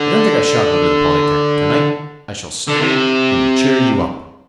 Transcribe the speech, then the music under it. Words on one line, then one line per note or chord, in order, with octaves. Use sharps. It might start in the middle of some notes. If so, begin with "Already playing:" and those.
I don't think I shall go to the Polytec. to-night; I shall stay and cheer you up.
Already playing: D3
D3
C3